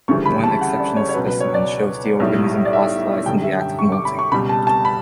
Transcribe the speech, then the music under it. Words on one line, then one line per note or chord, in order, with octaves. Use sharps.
One exceptional specimen shows the organism fossilized in the act of moulting.
D2 C#3 E3 G3 C#6
B5
A5
F#5
D5
C#5
C#5
C#2 B2 F#3 B4
B4
C#5
D5
B1 A2 G3
D5
E5
F#2 D3 G3 G5
E5
G5
C#6
D6
B5
C#6
C#2 B2 G3 B5
A5
A5
B5